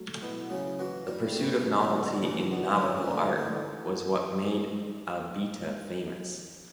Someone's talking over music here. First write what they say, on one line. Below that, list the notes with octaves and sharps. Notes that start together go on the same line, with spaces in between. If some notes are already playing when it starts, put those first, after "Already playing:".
The pursuit of novelty in Navajo art was what made Abeita famous.
Already playing: F#3 A3
B2 E4
C#3 F#3
E3 F#4
F#3 G3
A3 B3
F#3
D3
F#4
C#3 E3
B2 D4
D3
C#3 G4
E3
D3 A3
D3 E3